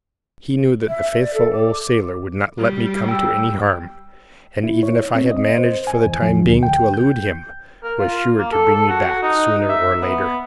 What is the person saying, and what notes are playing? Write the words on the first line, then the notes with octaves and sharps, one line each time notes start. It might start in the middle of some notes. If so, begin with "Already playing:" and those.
He knew that the faithful old sailor would not let me come to any harm, and even if I had managed for the time being to elude him, was sure to bring me back sooner or later.
E5
D5
A4
D6
G3
G5 E6
E4
C#5
C4
D#5
C5
G#5
E2
F3
D2
G5
G6
A#4
F4
A#3
A4
A4
F#4
D#4
E5
B3